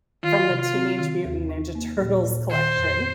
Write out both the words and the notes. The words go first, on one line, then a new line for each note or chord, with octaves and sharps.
from the Teenage Mutant Ninja Turtles collection.
D#3 F4
C3
F4
C4
D#3
D#2
D#4
A#3
A#2
A#2
D#3 C5
F2